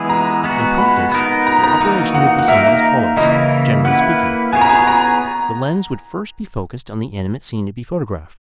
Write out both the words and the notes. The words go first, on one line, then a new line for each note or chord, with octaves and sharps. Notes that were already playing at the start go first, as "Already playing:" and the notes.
In practice, the operation would be somewhat as follows, generally speaking: The lens would first be focussed on the animate scene to be photographed.
Already playing: E3 G#3 B3 E4 G#4
A#5
G#3 B3 F#4
B5
B3 D#4 A#4
A#5
A#5
E3 A#3 D#4 F#4
F#5
F#5
A#3 D#4 A#4 E5
C#3 E3 A#3 E4 D#5
A#3 E4 B4 F#5
B3 E4 G#4 C#5 G#5
A#5
G#5
A#5